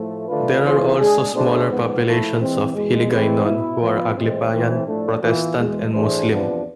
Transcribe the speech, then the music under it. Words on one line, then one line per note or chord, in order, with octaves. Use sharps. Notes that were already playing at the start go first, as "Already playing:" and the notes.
There are also smaller populations of Hiligaynon who are Aglipayan, Protestant, and Muslim.
Already playing: A2 F3 A3
D3 A3 D4 F4 B4
E3 B3 F4 G#4 C5
G#3 D4 G#4
B2 A3 D4 G#4 C5
G#2 F3 B3
F3 A3 E4
E3 G#3 C4
E2 B2 G#3
E3 G#3 C4 G#4 B4
B2 B3 E4
F3 B3 F4 B4
A2 E3 G#3 C4
A2 E3 A3 C4
A2 F3 A3 D4
E3 B3 F4
E2 B2 G#3
E3 A3 D4 G#4 C5
E2 C3 F3 B3 D4